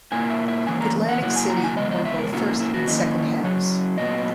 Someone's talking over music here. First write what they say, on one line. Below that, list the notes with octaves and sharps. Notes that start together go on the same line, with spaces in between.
Atlantic City won both first and second halves.
A#2 A#3 E4 G#5
E5
E5
C#3 E3 A#3 G#5
A#5
F#5
C#3 F#3 A#3 E4 F#5
G#5
A#5
F#5
G#5
E2 C#3 G#3 B3 D#5
D#5
E5
A#4
A#2 A#3 C#4 E4 F#4
E4
E4
F#4
D#3 A#3 C#4 E4 D#5
F#2 C#3 F#3 C#4
A#2 F#3 B3 D#5